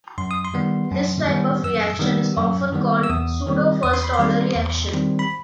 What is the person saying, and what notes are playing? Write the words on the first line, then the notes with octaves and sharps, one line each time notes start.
This type of reaction is often called a pseudo first order reaction.
F#2 C6
D#6
C6
D#3 G3 B3
F#2
D#3 G3 B3
F#2 E6
D#3 G3 B3
F#2
D#3 G3 B3
E6
E2 D#6
D#3 G3 C4
E2 D#6
C6
B5
C6
D#3 G3 C4
E2
D#3 G3 C4
B5